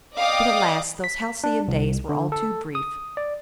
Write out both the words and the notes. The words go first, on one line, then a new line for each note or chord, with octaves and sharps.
But, alas! those halcyon days were all too brief.
D5 D#5 F5 G5 D6 D#6
B6
D4
C2
D3
A4
D#6
D5